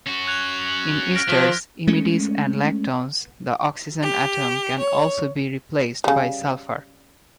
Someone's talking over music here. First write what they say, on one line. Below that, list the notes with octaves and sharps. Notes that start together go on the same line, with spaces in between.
In esters, imides and lactones the oxygen atom can also be replaced by sulfur.
C#4 F#4
F#6 G#6 F7
F6 A#6 D7
D#3 F3 F6 B6 D7
G#3 A3 C#4
G4
C#5
C#3 G3